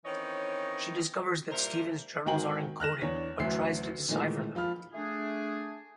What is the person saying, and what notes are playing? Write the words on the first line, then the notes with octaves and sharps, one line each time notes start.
She discovers that Stephen's journals are encoded, but tries to decipher them.
D#3 E3 C4 C#4 C#5 D#5
G2 A#2 E4 A#4 C5
G#1 D#3 F#4 G5 G#5 F#7
F6 F#6 A#6 E7
E2 D4 C#5
A1 D2 F#3 E5 C7
A#2 D#3 E3 G#3 A3
F3 F4 B5 F6
A3 D4 G#4